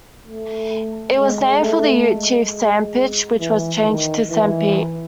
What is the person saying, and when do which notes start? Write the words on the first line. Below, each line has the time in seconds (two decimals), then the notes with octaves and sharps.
It was named for the Ute chief Sanpitch, which was changed to Sanpete.
0.27 A3
1.16 G#3
1.61 A3
2.06 G#3
3.40 E3
3.85 D#3
4.30 E3